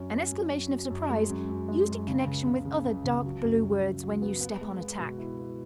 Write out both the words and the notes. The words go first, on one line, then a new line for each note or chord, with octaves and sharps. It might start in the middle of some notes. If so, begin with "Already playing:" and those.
An exclamation of surprise used in connection with other dark blue words when you step on a tack.
Already playing: F#2 C#4
C#4
F#2
F#3
F#3
F#2
G#3
F#2
F#2
G#3
F#2
C#3
C#2
C#3
C#3
C#2
C#2
F#3
F#2
F#3
F#2
F#3
B3
B3
G#3
B3
B2
E4
B3